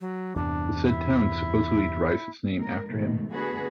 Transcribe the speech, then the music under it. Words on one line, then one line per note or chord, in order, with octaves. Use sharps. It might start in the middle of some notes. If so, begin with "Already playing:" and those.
The said town supposedly derives its name after him.
F#3
E2 G2 C3 D4
E4
G#3 A#4
G#2 B2 D#3 A3
D3 A3 B3 F#4 G#4 B4